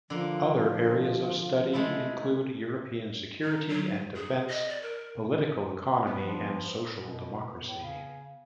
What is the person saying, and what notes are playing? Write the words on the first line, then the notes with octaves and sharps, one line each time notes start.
Other areas of study include European security and defence, political economy, and social democracy.
D3 F3 A#3
G#3 A3 E4
D#4
F#3
G#4
D#5
D5
A#4
B3
F3
B2
A2
C#3